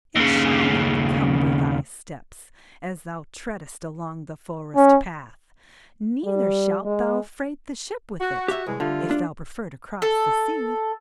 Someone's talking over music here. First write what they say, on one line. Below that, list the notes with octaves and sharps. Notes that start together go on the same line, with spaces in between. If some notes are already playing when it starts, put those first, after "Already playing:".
It shall not cumber thy steps, as thou treadest along the forest-path: neither shalt thou freight the ship with it, if thou prefer to cross the sea.
D#2 C#3
C#4
G3
G#3
F#4
G4 E5
C2 E3 G#3
D3 G3 A3 F4
D4
A4